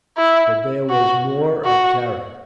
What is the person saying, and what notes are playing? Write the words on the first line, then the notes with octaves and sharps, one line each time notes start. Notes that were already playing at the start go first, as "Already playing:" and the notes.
But there was more of character.
E4
F#4
F#4